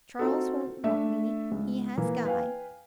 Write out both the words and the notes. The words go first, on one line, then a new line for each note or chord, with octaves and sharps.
Charles won't want me, he has Guy.
C4 D#4 F4 F#4 A4
A3 D4 E5
C#2
E3 A#3
B4 F5 G5 G#5